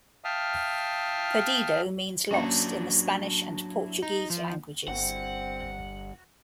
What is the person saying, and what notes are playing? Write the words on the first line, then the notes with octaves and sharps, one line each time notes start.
"Perdido" means "lost" in the Spanish and Portuguese languages.
E5 F5 G5 A5 D#6 F6
F#3 A#3 C#4 D4
D#4
F3
G1 C4 F#5